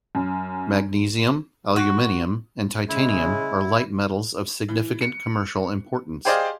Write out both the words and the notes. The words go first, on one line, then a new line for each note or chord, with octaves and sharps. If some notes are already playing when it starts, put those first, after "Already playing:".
Magnesium, aluminium and titanium are light metals of significant commercial importance.
F#2
F#4
C#3 G#3 E4
E3
C#7
G4 G#4 C5 D5 D#5 F5